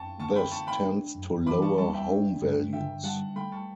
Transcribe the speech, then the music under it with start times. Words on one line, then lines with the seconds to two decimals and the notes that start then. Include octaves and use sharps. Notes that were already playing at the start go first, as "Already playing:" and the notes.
This tends to lower home values.
Already playing: F#2 C#4 G5 A5 C#6
0.20 D3 A5 C#6
0.36 G5 B5
0.52 A3 A5 C#6
0.67 G5 B5
0.83 D4
1.15 F#2
1.46 E3 B5 D6
1.62 A5 C#6
1.78 G3 A5 C#6
1.94 E5 G5
2.10 D4
2.42 G2
2.73 D3 E5 G5
3.04 G3 F#5 A5
3.36 A3 G5 B5
3.52 A5 C#6